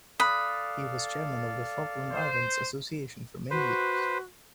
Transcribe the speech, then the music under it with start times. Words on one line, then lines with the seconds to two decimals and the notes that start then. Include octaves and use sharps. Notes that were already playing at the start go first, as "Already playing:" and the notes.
He was chairman of the Falkland Islands Association for many years.
0.20 A4 D5 F5 B5 D#6 F#6
2.12 C5
3.51 F#4 B4 C5